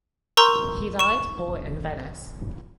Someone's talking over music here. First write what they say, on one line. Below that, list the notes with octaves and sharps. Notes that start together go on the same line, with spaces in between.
He died poor in Venice.
A#4 A#5 C6 C#6 E6 G6
C#6 E7